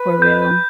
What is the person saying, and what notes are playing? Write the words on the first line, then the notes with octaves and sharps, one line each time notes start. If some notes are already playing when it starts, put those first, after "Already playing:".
for real.
Already playing: B4
G6